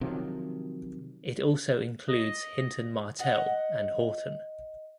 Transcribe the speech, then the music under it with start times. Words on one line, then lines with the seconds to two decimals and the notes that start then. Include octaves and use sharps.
It also includes Hinton Martell and Horton.
0.01 C3 D#3 F3 F#3
2.09 D#5
3.19 D#5 F#5